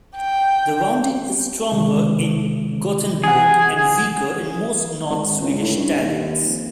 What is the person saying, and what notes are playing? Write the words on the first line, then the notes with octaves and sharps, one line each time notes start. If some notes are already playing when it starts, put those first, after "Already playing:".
The rounding is stronger in Gothenburg and weaker in most North Swedish dialects.
G5
C3 D#3 G#3
E3 G#4 F#5
G#1
C#2
A2
G2
D#2
F2